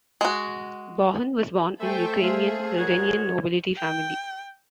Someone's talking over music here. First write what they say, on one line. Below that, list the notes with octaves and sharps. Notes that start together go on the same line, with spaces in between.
Bohun was born in Ukrainian-Ruthenian nobility family.
G#3 F#4
A3 A4 C5 E5 G5 G#5
A3 G#4 A4 C5 F5
G#2 F#4 A#4 C#5
G5